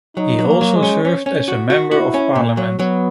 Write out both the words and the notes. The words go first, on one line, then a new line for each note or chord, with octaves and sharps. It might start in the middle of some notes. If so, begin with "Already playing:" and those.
He also served as a Member of Parliament.
F#3 D#4
F#3
A#3
F#3
G#3
C#4
C#4
C#4
F#4
F#4
E4 F#4
C#4
A#2
F#3
F#3 B3